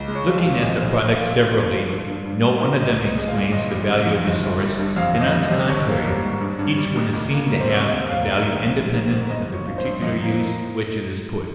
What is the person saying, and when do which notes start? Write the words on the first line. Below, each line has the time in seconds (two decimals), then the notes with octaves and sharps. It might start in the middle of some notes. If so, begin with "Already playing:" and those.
Looking at the products severally, no one of them explains the value of the source, and, on the contrary, each one is seen to have a value independent of the particular use to which it is put.
Already playing: C#2
0.08 G#3
0.15 C#5
0.27 F3
0.38 F5
0.45 C3
0.63 A#1 D#5
0.81 A#1
0.87 D#5
0.99 F3
1.11 F5
1.17 A#2
1.35 G#1
1.53 G#1
1.72 F3
1.89 G2
2.08 G2
2.25 G2
2.44 A#3
2.61 D#3
2.80 C2 D#5
2.98 C2 D#5
3.15 G#3 D#5
3.28 F5
3.34 A#2
3.52 G1 D#5
3.70 G3
3.88 C3
4.06 F2
4.24 G1
4.43 G1
4.60 G3
4.79 G2
4.96 F2 F5
5.15 F2
5.21 D#5
5.33 G3
5.45 D#5
5.51 C3
5.60 D#5
5.68 G#1 C#5
5.86 A#3
6.05 G3
6.23 G#2
6.40 G2
6.59 G2
6.77 G3
6.95 D#3
7.13 C#2
7.31 A#3
7.50 G3
7.61 C5
7.68 C3 C#5
7.86 D#2 D#5
8.04 D#2
8.10 F5
8.22 A#3
8.33 D#5
8.40 D#3
8.58 A#1
8.76 A#1
8.94 D#3
9.12 G#2
9.30 G1 D#5
9.48 G1
9.54 C#5
9.66 F3
9.78 C5
9.85 G2
10.02 F2 D#5
10.21 A#3